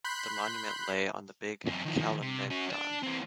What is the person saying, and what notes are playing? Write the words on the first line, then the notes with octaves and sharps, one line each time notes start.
The monument lay on the Big Kalemegdan.
B5 C6 F#6 G6 B6
F#2 C4
D#3 F3
C3
C#4 F#4
D4
E3 C4